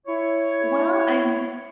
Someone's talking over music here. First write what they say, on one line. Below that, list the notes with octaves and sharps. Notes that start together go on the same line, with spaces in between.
Well, I'm
E4 C#5